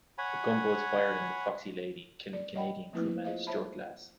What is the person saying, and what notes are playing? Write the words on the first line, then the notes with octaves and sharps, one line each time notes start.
The gunboats fired on the "Foxy Lady" killing Canadian crewman Stuart Glass.
C#5 F#5 G#5 B5
D5
C#5 D#5 F#5 G5 B5
F3 A3 A#3 C4 E4 B4
F4 G#4 C5 D#5 F5
C5 C#5 E5 A5 B5